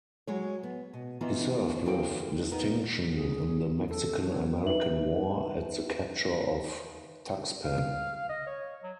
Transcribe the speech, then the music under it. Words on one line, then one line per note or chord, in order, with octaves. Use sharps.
He served with distinction in the Mexican-American War at the capture of Tuxpan.
F#3 G#3 C#5
B3
B2
D#3 E3 B3 F4
F#2 E3 A4 C5 F5 G5
B3 D#4 A#4
G#4
A4
C#5
D#4 B4 E5 F#7
F5
D#5
C#5
F#3